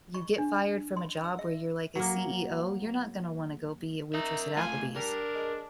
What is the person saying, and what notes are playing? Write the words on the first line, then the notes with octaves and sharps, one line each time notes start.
you get fired from a job where you're, like, a CEO, you're not gonna wanna go be a waitress at Applebee's,
C#6
D4
C6
E6
E5
F#3 A#3
D#4 A#4 E5
A3 C4 F4 G#5
G3 D4 A#4
G#3